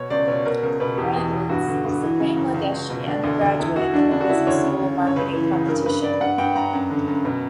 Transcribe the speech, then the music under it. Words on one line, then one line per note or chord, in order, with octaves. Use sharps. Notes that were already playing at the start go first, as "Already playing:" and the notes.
Brandwitz is a Bangladeshi undergraduate inter-business school marketing competition.
Already playing: B2 C#5
C#2 D5
B2 C#5
B2 A#4
C#2 A#4
B2 B4
E2 G4
E2
B2
G2 F#4
D3
G2
E3
C#3
F#2
C#2
C#2
B2
D3 D4
D2
D2
E2 E4
E2 F#4
D3 D4
C#3 D4
F#4
C#3 E4
D2 C#5
C#3
C#3
F#2
C#5
C#2 B4
E3
C#3
G2 A#4
G2 B4
G2 D5
G2 F#5
G2 G5
G2 A#5
F#2
D3
F#2
B2